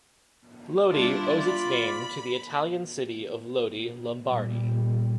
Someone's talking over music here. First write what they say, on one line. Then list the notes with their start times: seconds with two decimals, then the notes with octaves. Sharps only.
Lodi owes its name to the Italian city of Lodi, Lombardy.
0.90 G3 D4 E4 F4 D5
1.46 B5
4.24 A#2 G3